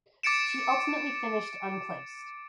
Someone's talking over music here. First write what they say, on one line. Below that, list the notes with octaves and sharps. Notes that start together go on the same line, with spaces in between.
She ultimately finished Unplaced.
D6 A6 C#7 D7 E7